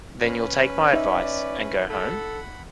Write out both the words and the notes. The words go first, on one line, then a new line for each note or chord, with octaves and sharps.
Then you'll take my advice and go home?
C#4 B4
D#4 D5 E5
A4 F#5 B5